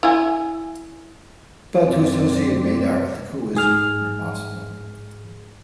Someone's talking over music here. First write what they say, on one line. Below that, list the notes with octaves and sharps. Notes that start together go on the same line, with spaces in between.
But to associate Baydar with the coup is impossible.
E4 G#5
F#2 C3 C4 D5
G#2 G#4 F6